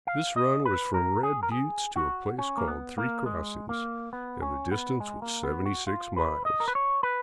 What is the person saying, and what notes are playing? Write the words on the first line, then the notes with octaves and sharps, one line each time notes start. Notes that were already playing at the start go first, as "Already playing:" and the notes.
This run was from Red Buttes to a place called Three Crossings, and the distance was seventy-six miles.
F5
D#5
B4
A#4
G#4
A#4
G#4
F#4
C#4
A#3
B3
A#3
G#3
A#3
B3
C#4
B3
G#3
A#3
B3
F#4
F4
B4
D#5
A#4
B4
C#5
B4